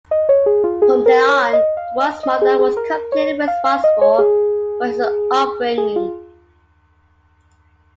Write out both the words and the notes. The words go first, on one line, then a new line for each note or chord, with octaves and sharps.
From then on, the boy's mother was completely responsible for his upbringing.
D#5
C#5
G#4
F4
G#4
A#4
C#5
D#5
F5
D#5
D#5
G#4
G#4
A#4
A#4
C#5
F5
F5
D#5
C#5
G#4
G#4
F4